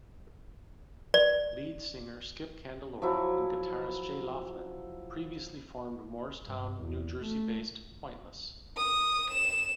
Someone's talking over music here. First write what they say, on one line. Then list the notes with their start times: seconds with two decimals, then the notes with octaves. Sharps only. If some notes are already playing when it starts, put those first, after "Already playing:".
Lead singer Skip Candelori and guitarist Jay Laughlin previously formed Moorestown, New Jersey-based Pointless.
1.14 D5
3.02 F3 F#3 E4
6.45 G2
6.81 E2
7.20 A3
8.77 D#6
9.29 E7